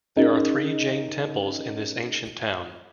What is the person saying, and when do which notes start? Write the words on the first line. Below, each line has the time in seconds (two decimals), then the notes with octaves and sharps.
There are three Jain temples in this ancient town.
0.16 C#4 D#4 G#4 A#4 D#5